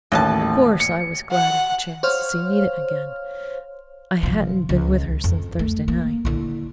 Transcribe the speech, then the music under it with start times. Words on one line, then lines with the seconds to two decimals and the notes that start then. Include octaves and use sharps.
Of course I was glad of the chance to see Nita again--I hadn't been with her since Thursday night.
0.12 A1 D#2 F#3 G3 A5
0.80 C#7
1.32 F#5
2.03 C5 C#5 F5 F6
4.23 C3 F3
4.69 C#2
5.24 F2
5.59 A3
5.88 A#3
6.25 D3 E4